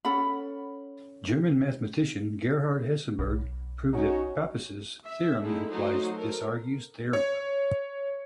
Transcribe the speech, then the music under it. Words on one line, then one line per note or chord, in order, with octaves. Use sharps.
German mathematician Gerhard Hessenberg proved that Pappus's theorem implies Desargues's theorem.
C#4 A4 F#5 B5
B1
C#4 D#4 F#4
E5
D3 G#3 A3 D#4 E4
F#3 A3 D#4 F#4 C5
A4 A#4
C#5